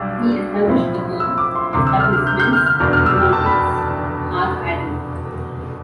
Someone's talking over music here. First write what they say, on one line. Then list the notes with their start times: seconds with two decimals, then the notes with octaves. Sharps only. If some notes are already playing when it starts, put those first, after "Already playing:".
He established the firm Etablissements Aeronautiques R. Adam.
Already playing: B1 B2 G3 D4 E6
0.67 B1 A2 F3 C4 E4
1.20 E6
1.38 D6
1.55 C6
1.73 D2 C3 E3 D6
1.87 E6
2.00 F6
2.13 F6
2.27 G6
2.40 G6
2.53 F6
2.66 F6
2.80 F1 E2 B2 B3 D4 F6
2.93 F6
3.06 E6
3.19 G5
3.33 A5
3.46 B5